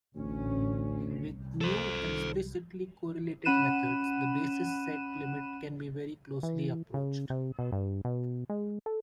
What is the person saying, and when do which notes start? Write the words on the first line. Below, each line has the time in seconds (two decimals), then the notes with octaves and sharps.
With new explicitly correlated methods the basis set limit can be very closely approached.
0.15 A1 D2 C#4
1.13 C2
1.61 A4 C5
2.04 D#3
3.45 C#4 F#5 B5 F#6 D#7 E7
6.43 E3
6.94 C#3
7.30 C3
7.59 B2
7.72 G2
8.05 B2
8.50 G#3
8.86 A4